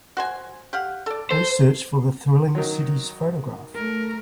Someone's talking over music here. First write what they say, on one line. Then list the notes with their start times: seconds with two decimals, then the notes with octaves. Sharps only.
Please search for the Thrilling Cities photograph.
0.17 F#4 C5 G#5
0.73 G4 F5 F#5
1.06 A4 D5
1.31 A4 C5
2.55 D#3 F#3
3.75 A3 A#4